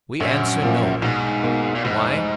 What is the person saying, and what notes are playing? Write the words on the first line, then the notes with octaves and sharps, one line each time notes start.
We answer No. Why?
A#1 F#2
A#2 F3 A#3
B1 G#2
B2 A#3
A#2
F1 G#2